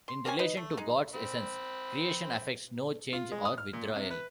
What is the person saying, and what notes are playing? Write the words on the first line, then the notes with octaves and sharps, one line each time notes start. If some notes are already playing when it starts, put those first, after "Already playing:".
In relation to God's essence, Creation affects no change or withdrawal.
C6
A#3 C4 C#4 G#5
D#4 B4 D#5
A3
G#3 D#4
C4 B5
F4
G#3
D#6
F6
A#2
C3
B4